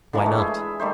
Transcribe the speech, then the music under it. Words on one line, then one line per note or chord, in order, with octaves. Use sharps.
Why not?
D3 E3 F3 A#3
G#3 A3
E4 G#4
E5
D#3 G3 A3 C5